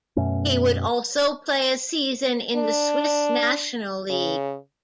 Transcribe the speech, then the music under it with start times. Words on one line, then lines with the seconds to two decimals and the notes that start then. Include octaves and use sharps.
He would also play a season in the Swiss National League.
0.16 F#2 B2 A3 C#4
2.55 D4
4.10 C#3